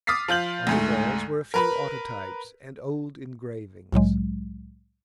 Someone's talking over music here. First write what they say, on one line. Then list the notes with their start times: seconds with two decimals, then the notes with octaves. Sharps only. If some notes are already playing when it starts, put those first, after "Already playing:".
On the walls were a few autotypes and old engravings.
0.07 D6 D#6 F6 A6 B6 C7
0.28 F3 F4 G6 F#7
0.67 D2 G#2 A3
1.54 A#4 B4 B5
3.92 C2 A2 F#3 G#3